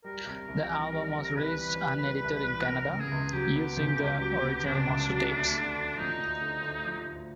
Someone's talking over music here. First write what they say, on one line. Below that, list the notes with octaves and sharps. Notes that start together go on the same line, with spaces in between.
The album was released un-edited in Canada, using the original master tapes.
G3 A#4
C3
C2
E3
G3
C3
C2 B4
E3
G3
C3
C2
E3
B3 A#4
C#3
G#4
C#2
F#3 G4
B3
C#3
C#2
F#3
B3
C#3 D4
C#2
F#3
D2
D3
D2
F3 D#4
D2
D3
D2
F3
D2